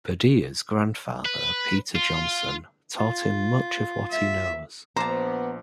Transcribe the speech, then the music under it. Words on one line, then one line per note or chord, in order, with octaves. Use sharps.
Padilla's grandfather, Peter Johnsen, taught him much of what he knows.
B4
F4
F4
E5
A#1 B3 C5 A5 A#5 D6